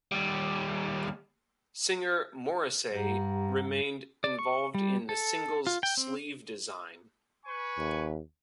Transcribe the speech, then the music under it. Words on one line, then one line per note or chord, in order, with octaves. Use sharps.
Singer Morrissey remained involved in the singles' sleeve design.
D#2 G3
G2 G4 F#5 A#5
D5
C#6
G3
A4
F4
G5
C4
B4 G#5 C#6
D#2